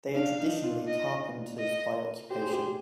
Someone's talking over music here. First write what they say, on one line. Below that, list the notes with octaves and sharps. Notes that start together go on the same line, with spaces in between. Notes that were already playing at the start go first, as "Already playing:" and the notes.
They are traditionally carpenters by occupation.
D4 F5
D#4
F4
D#5
D#5
G4 C5
G#4
G4